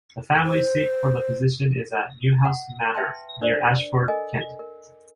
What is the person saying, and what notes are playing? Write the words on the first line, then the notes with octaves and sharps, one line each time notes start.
The family seat for the position is at Newhouse Manor, near Ashford, Kent.
C5
F#5
B4 E5 G5 A5 C6
D4 A#4 C5 D5
A4 A#4 D#5 G#5
A#4